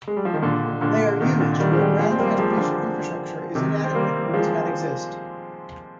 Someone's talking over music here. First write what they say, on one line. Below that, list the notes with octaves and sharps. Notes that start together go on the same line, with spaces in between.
They are used where ground transportation infrastructure is inadequate or does not exist.
G#3
G3
F3
D#3
A#2 D3
A#2 D3
C3 D#3
A#2 D3
D#3 G3
G#3
D#3 G3
F3 G#3
C4
G3 A#3
G3
F3 G#3
G3
D3 F3
C3 D#3
C4
G3 A#3
F3 G#3